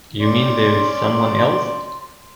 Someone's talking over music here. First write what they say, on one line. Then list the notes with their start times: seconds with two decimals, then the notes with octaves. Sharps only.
You mean there's someone else?
0.20 C#4 D5 C6